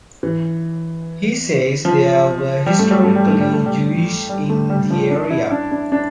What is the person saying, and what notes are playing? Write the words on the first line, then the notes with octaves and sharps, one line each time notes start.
He says there were historically Jews in the area.
E3
F3
G3
A3
G3
A3
G3
A3
G3
A3
G3
G3
A3
G3
F3
D4
E4
D4
D4
D4